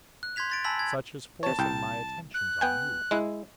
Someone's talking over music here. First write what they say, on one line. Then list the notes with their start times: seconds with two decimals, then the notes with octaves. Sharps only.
Such as forcing my attentions on you.
0.23 F#6
0.36 C6 G6 G#6 B6 F7
0.50 C6 A6 D7
0.64 G#5 A5 B5 E6 B6 F#7
0.79 G#6
1.43 C3 C#5 A5
1.59 C2 G5
2.34 F#6
2.61 B3 G5 G#5
3.11 G#3 E4